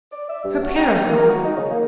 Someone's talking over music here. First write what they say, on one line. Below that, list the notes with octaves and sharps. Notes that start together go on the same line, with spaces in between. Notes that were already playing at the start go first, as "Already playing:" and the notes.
Her parasol?
D5
E5
G2
F#4
G5
C#2
A#3
A#4
F#4
D#4
C#3
A#3